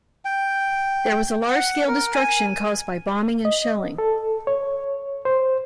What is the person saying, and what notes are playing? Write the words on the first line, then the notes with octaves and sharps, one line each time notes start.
There was a large-scale destruction caused by bombing and shelling.
G5
F#5
A#4
G#5
D#5
A4
C#5
C5